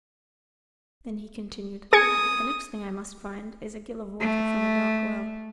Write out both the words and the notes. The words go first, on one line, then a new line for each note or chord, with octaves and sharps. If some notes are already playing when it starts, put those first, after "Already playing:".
Then he continued: "The next thing I must find is a gill of water from a dark well."
G#4 D#6 G#6 C#7
A3